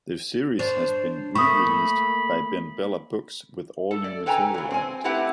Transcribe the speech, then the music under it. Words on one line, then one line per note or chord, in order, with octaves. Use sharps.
The series has been re-released by BenBella Books, with all-new material added.
D4 C5 C#5
A3 A#3 B5 C#6 D#6
A4
D5
A4 B4 G5 G#5 A#5
G2 F#3
C4 C5 G#5
A3 C4 E4 G4 B4 F#5